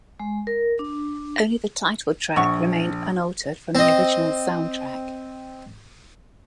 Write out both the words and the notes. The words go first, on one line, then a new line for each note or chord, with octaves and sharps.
Only the title track remained unaltered from the original soundtrack.
G#3
A#4
D4
A#1 C#5 F#5 C#6
C4 D#5